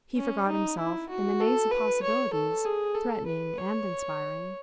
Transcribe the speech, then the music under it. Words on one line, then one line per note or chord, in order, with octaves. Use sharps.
He forgot himself in the maze of possibilities threatening and inspiring.
C#4
D#4
E4
F#4
A4
B4
C#5
A4
G#4
A4
B4
C#5